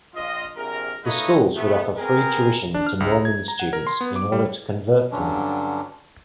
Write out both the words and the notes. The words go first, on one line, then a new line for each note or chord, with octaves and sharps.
The schools would offer free tuition to Mormon students in order to convert them.
A#1 F4 D#5
A#1 C3 G#4 A#4
A3 A#3 D#4 B4 C#5 D#5
C3 A3 B3
B3 C4 G#4 A#4
D4
F6
C#2
A#5
G#6
A#5
F#5
A#4
C6
B3
D6
G3
G2 D3 F#3 C#4 D4